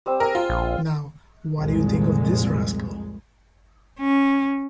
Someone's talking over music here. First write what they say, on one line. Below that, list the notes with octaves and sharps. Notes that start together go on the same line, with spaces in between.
Now, what do you think of this rascal?
G3 C4 E6
G#4 A#4 G#5
F4
A#1
C2 F2 A#2 G#3
C#4